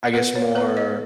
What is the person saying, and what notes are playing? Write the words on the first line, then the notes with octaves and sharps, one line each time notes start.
I guess, more
B3 B4
C#5
B3 B4
D#5